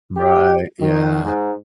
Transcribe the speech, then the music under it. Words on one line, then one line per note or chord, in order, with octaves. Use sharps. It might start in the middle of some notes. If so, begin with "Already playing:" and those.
Right, yeah.
G4
D#3
G#2